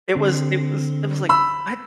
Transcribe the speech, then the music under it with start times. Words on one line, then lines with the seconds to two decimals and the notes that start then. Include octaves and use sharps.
It was it was it was like, "What?
0.15 D3 C4
1.29 B5 E6